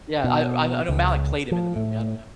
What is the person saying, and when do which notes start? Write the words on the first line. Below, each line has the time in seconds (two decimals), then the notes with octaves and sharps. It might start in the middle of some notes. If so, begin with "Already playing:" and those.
Yeah, I o I I know Malek played him in the movie, I don't know.
0.24 B2
0.89 C#2
1.52 F3
1.76 A2